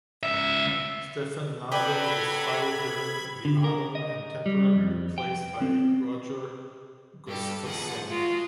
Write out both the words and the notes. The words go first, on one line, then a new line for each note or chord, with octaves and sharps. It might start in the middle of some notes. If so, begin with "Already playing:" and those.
Stefan Lundin was fired during the autumn and temporary replaced by Roger Gustafsson.
C#2 E5
F#3 G4 A4 B4 D5 B5 G#6
D3
A#4
D#5
G3
F2
G5
C4
G2 G4 A4
D#2 F3 G#4 F#5
G#3 F4 F#4